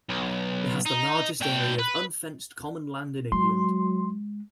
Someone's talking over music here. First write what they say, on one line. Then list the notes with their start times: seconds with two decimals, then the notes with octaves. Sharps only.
It has the largest area of unfenced common land in England.
0.09 B1
0.86 D#4
1.41 A#2 G5
1.79 B4
3.32 F#3 G#3 C6